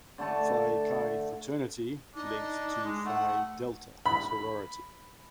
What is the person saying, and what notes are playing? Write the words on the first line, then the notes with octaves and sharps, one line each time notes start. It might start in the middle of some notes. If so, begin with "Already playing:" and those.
Phi Chi fraternity linked to Phi Delta sorority.
D3 A3 A5 C#6
D4 D#4
G#3
A3 F#5
B5